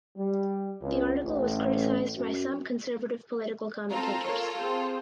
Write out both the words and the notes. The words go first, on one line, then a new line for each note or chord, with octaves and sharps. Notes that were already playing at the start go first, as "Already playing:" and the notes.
The article was criticized by some conservative political commentators.
G3
C#2
A1
F#2
C4 F4 A4 A#5
A#4 C#5
C4 G#4 C5